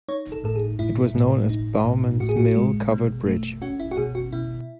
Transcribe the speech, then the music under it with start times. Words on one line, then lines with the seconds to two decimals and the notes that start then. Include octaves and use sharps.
It was known as Bowman's Mill Covered Bridge.
0.08 D#4 C#5
0.32 A4
0.44 A2 A4
0.56 G#4
0.79 A2 E4
1.15 A2
1.50 D#4
1.85 A2
2.20 A2 F#4
2.29 G#4
2.37 F#4
2.56 G#3
2.92 B2
3.26 A3
3.62 C#4 F#4
3.80 E4
3.91 F#4
3.97 B2 G#4
4.15 F#4
4.32 B2 E4